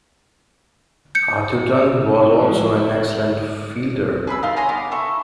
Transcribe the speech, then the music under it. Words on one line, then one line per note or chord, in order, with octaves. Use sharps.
Arthurton was also an excellent fielder.
G6 C#7
A2 E3 F3 G#3 E4
E4 D5 E5
G#4 B4 B5 E6
D#4 F4 A#4 F5
C#5 G#5 A#5 C6
B3 D6
E4 A4 C#6